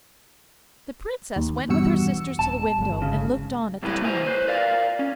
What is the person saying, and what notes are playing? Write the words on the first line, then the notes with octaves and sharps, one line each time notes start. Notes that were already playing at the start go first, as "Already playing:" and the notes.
The Princess went with her sisters to the window and looked on at the tournament.
D#2
E2 G2 B2 F#4 E6 C#7
D#1 A5
G1 G#3
C#3
G#2 C3 G3 A3 E4 B4
A#3 E4 C5 G#5
B4 C5
A#4 D5 F5
C#4